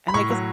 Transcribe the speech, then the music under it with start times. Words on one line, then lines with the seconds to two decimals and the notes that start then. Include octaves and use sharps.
And I guess
0.08 B5
0.14 A2 C#6
0.30 F#3